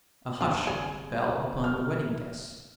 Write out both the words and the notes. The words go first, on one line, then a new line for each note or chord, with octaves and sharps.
A hush fell upon the wedding guests.
F#2 A#3 D4 F4
G1 C2 G3 G#4
F6